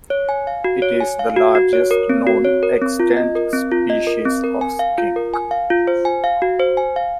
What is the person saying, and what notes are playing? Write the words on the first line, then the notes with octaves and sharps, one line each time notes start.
It is the largest known extant species of skink.
C#5
G#5
F5
F#4
C#5
G#5
F5
F#4
F#4
C#5
A#4
C4
F#4
C#5
A#4
C4
F4
D#5
A#4
C4
F4
D#5
A#4
C4
A#4
G#5
F5
F4
A#4
G#5
F5
F4
C5
G#5
F5
F#4
C5
G#5
F5